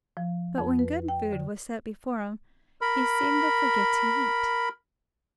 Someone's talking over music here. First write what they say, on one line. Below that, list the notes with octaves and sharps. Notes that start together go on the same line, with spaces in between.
But when good food was set before him he seemed to forget to eat.
F3
F2
B4
G5
D3
A#4 B5